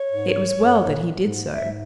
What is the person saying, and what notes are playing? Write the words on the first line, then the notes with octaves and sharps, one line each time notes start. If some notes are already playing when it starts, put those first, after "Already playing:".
It was well that he did so.
Already playing: C#5
G#2
F#2
G#2
A#2
G#2
G#2 E5